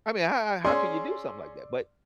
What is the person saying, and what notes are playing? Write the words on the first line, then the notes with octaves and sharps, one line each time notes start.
I mean, how how how can you do something like that? But
C#4 G#4 D5 C6 E6